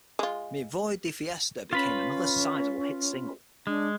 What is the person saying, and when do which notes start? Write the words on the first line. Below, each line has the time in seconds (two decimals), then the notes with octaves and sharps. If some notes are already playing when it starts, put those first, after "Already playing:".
"Me Voy De Fiesta" became another sizable hit single.
0.19 G#3 F4
1.73 C#4 F4 B4 B5
3.67 G#3 D4